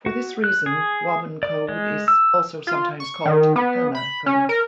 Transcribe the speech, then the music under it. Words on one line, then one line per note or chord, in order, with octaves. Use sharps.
For this reason, Wabun code is also sometimes called Kana code.
F#4
F#6
G#4
D5
G#3
E6
F4
C#6
D#3
B3
B5
C#4
A#4